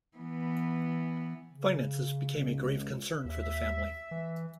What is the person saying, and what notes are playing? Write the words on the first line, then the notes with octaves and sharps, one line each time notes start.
Finances became a grave concern for the family.
E3 B3
C#3
C#2
D#2 E5
E3